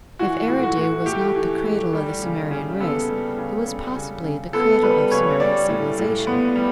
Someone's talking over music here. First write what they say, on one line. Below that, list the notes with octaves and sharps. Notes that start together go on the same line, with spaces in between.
If Eridu was not the "cradle" of the Sumerian race, it was possibly the cradle of Sumerian civilization.
E3 F#4
A2
F#4
A2
A3 G4
E3
A2
G3
C#3
C#3
B3 A4
G3
C#3
G3
C#3
C#3
B3 A4
G3 B4
C#3 C#5
G3 D5
A2
A2
B3
G3